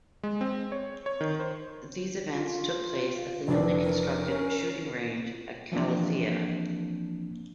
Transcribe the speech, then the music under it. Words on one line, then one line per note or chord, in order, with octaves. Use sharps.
These events took place at the newly constructed shooting range at Kallithea.
G#3
C4
C#5
C#5
D#3
C5
F4
F1 E3 C4 D4
A#4
C#4
E3 F3 A#3 C4 D4